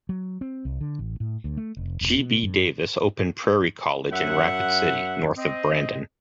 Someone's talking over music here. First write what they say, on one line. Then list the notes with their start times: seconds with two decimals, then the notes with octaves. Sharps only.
G. B. Davis opened Prairie College in Rapid City, north of Brandon.
0.09 F#3
0.41 C4
0.65 C2
0.81 D3
0.99 A1
1.20 A2
1.44 D2
1.57 A3
1.77 F1
2.01 E1
2.15 B2
2.43 F#2
4.12 F#2 E5 F#5
5.37 C4 D#5